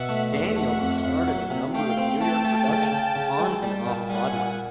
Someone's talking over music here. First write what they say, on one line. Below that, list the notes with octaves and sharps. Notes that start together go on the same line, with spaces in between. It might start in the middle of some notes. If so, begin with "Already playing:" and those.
Daniels has starred in a number of New York productions, on and off Broadway.
Already playing: B2 E5 F#5
A3
E2 E5 F#5
A3
F2
F2
F#3
C3
A3 F5 G5
C4
A3 G5 A5
A3
C#3
C#3
C#3
G#3
G3 G5 A5
A#2
G3 F#5 G#5
A#2